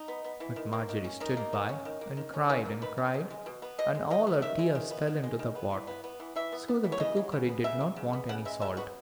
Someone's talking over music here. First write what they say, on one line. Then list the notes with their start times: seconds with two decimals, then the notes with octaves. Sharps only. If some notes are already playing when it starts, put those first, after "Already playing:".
But Margery stood by, and cried and cried, and all her tears fell into the pot, so that the cookery did not want any salt.
Already playing: D#4
0.08 B3
0.24 B3
0.40 E3
0.56 D#3
0.73 A#3
0.89 D#3
1.04 C#4
1.20 D#3 D#4
1.37 A#3
1.53 D#3
1.69 C#4
1.85 D#3
2.01 A#3
2.17 D#3
2.34 C#4
2.49 D#3 C#4
2.65 A#3
2.82 D#3 B4
2.97 C#4
3.14 B2
3.30 G#3
3.46 B2
3.62 B3
3.78 B2 D#5
3.95 G#3
4.10 B2 D#5
4.27 B3
4.42 D#3 E5
4.59 G#3
4.75 D#3
4.91 B3
5.07 D#3
5.24 G#3
5.39 D#3
5.55 B3
5.72 E3
5.87 B3
6.04 B3
6.20 E3
6.36 E3 E5
6.52 B3
6.68 B3
6.84 E3
6.92 C#5
7.00 C#3 D#5
7.16 F#3
7.32 C#3
7.49 B3
7.64 C#3 E5
7.80 F#3
7.96 C#3
8.13 B3
8.29 C#3 F#5
8.45 G#3 E5
8.61 C#3 E5
8.77 B3 F#4